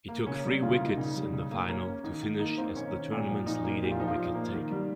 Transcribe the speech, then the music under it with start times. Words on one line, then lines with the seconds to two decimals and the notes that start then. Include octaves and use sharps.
He took three wickets in the final to finish as the tournament's leading wicket-taker.
0.08 A#3
0.26 C#3 C#4
0.45 G3
0.62 C#3 F4
0.74 F4
0.80 A#3
0.85 D#4
0.98 C#3
1.16 G3
1.33 C#3
1.51 A#3
1.68 A#3 C#4
1.86 A#3
2.04 D#3 D#4
2.23 D#3
2.39 A#3 D#4
2.58 A#3 C4
2.75 D#3 C#4
2.93 D#3
3.12 A#2
3.28 F3
3.46 A#2 D#4
3.64 A#3
3.82 A#2 G4
3.91 F4
4.00 F3 D#4
4.08 F4
4.17 A#2
4.35 A#3
4.53 D#3
4.71 G3